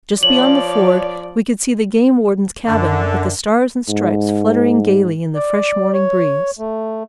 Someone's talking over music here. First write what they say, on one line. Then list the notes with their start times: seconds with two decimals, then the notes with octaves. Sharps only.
Just beyond the ford we could see the game-warden's cabin, with the stars and stripes fluttering gayly in the fresh morning breeze.
0.23 F3 C#5 D5 F#7
2.66 F#2 D3
3.88 G#2
5.35 D5
5.94 C#5
6.59 A3